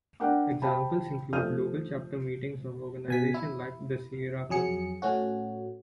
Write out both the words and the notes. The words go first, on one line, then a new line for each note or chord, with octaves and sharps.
Examples include local chapter meetings of organizations like the Sierra Club.
D4 A#4 F#5 G5 D6
G4 C5 F5 G5 A5 B5
F3 A3 D#6 F6 G6 D#7
B2 G#5 B6
E4
F2 F#3 G#4 C#7
A2 A3 C#4 F#4